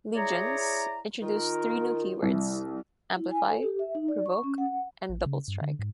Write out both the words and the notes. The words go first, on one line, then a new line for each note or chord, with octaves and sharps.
"Legions" introduced three new keywords: amplify, provoke, and double strike.
E4 G#4 C#5 D5 A#5
D#3 F4 A#4
C2 E4
E4
G#5
A4
G4
E5
D#4
D5
C#6
C#4
F#5
A1
C#3
G2
D3
G#2